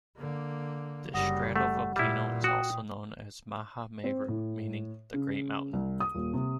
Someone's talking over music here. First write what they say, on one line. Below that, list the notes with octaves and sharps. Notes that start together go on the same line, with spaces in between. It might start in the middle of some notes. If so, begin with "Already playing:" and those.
This stratovolcano is also known as Mahameru, meaning 'The Great Mountain.
D3 A#3
F#1 G3 F#5 D#6 A#6
A3 F#5
A#2 G3 E4
F#4 G5 D#6
C4
A2
C#3
C2
D#6
D#1
C3